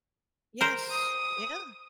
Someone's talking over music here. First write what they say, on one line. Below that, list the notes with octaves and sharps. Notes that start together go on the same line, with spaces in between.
Yes, yeah.
A#4 C5
D#6